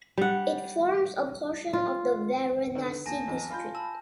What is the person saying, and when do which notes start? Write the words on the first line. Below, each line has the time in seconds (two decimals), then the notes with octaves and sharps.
It forms a portion of the Varanasi district.
0.18 G3 F#5
1.73 F4
2.75 D3 D#3 B3
3.06 D#1 G#5 A5 A#6
3.27 B1 E2
3.50 F4 B5 G6
3.75 A5 E6